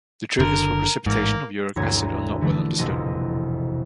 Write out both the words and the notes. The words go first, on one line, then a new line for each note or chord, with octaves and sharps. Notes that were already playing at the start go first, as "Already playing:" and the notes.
The triggers for precipitation of uric acid are not well understood.
F#1 D3 A#4
A1 G#2 A#3
E1 D2 G2 C#5 A#5 G#6
D3 E3 A3
E1 A1 F2 C3 A#3 D#5